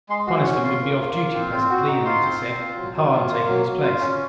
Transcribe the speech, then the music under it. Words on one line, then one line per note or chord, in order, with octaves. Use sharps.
Coniston would be off duty presently, Anita said, with Hahn taking his place.
G#3 C6
F#4 C6
C#4 C#6
F4 C6
A#3
A#3
F4
C4
C4
F#4
D#4
F4 C6
C4
C4
F4
F#3
F#3
F4
A#3
F#3
F#3
F4
C#4